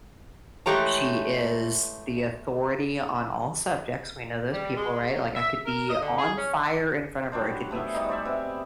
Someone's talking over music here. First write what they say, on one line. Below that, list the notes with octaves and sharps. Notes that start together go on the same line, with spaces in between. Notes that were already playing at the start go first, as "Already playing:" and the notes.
She is the authority on all subjects. We know those people, right? Like I could be on fire in front of her. I could be
E3 G#3 A3 G4 C#5 A#5
G3
G#3
F#3
E5
A#4
D#5
D3
G#4
C#4
F#3 G3 D4 C5
A3 B3 G#4 E5
G3 D#4
C5 D5 E5 G#5
C3 B3